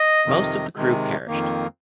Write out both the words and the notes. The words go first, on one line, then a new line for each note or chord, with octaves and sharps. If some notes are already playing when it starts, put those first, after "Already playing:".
Most of the crew perished.
Already playing: D#5
F2 C3 D#3
C3 D#3 G#3
F2 D#3 A#3